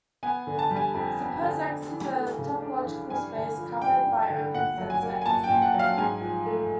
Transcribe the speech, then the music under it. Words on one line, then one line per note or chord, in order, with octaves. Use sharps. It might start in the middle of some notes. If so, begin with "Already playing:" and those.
Suppose "X" is a topological space covered by open sets "X".
B3 G#5
D3
A5
G3
G#5
F2
B3
D3
D4
E3
A3
C#3
D4
E3
G2 G#5
D3
F3
G2 G5
G2
D3
A#2 F#5
F#3
G#5
A#3
G#5
A#2 A5
G5
A#2
F#5
F#3 F5
G#2 G#5
F3
A3